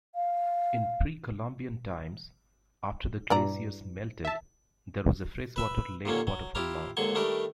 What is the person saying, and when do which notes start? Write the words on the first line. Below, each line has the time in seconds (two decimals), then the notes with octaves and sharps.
In Pre-Columbian times, after the glaciers melted, there was a freshwater lake waterfall long.
0.15 F5
3.30 G2 E3 D5 A#5
4.25 E5 A5
5.56 B4 E5 B5
6.05 D#2 A#2 D3 F#3 A#3 C#4
6.27 F#3
6.55 E4 F4 G4 F5 A#5
6.97 D#2 G#2 D3 F#3 C6 C#6
7.15 D#3 G3 A3 D4 G4 A#4